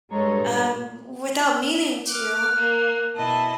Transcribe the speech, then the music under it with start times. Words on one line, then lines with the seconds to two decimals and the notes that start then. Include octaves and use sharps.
uh, w without meaning to,
0.12 G2 G#3 A4 C#5 A#5
0.46 A#2
2.07 D6 F6 F#6
2.55 A#3
3.16 B2 E4 D#5 A5